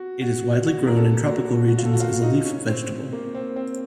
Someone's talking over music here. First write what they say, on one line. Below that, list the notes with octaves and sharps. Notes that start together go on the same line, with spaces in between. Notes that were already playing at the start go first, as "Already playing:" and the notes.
It is widely grown in tropical regions as a leaf vegetable.
Already playing: F#4
F#4
F#4
A#4
A4
F#4
F#4
F#4
F4
A4
F#4
F4
D#4
C#4
C4
A#3
C4
C4